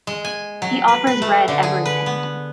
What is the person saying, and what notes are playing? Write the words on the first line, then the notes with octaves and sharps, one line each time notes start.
He offers Red everything.
G#3
G#5
F#3
B4
B4
A3
D3
G#4
B4
B3